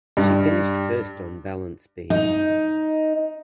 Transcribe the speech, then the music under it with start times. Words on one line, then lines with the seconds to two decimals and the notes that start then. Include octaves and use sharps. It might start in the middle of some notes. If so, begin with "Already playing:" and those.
She finished first on balance beam.
0.17 G2
2.10 D#4